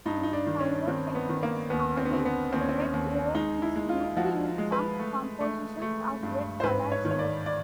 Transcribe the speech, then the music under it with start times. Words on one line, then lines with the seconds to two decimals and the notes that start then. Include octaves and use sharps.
In pyrotechnics, Oil Red O is used in some compositions of red colored smokes.
0.05 G2 D#4
0.23 D#4
0.33 D4
0.47 D#3
0.61 C#4
0.87 D#3 C4
1.15 B3
1.29 D#3
1.43 A#3
1.70 D#2 B3
1.97 C4
2.05 B3
2.11 D3 C4
2.25 B3
2.52 D#2 C4
2.61 C#4
2.69 C4
2.80 C#4
2.94 D#2
3.34 G#3 D#4
3.62 E4
3.76 G#3
3.89 F4
4.17 F3 F#4
4.58 G#3
4.72 B4
4.99 A3
5.40 A3
5.82 A3
6.23 G2
6.60 C5
6.63 G#2 B4
6.92 C#5
7.05 D#3
7.11 C#5
7.19 D5
7.46 D5